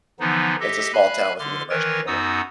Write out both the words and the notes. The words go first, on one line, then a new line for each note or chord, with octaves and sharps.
It's a small town with a university in it.
D3 E3 F3 B3 D#4
G4 A4 D#5 E5
F5 G#5 B5 F#6
D3 C6 D6 F6
D#3 E3 A#4 B4 C#5 A6
F#2 B3 D#4 F#4 D#6 E6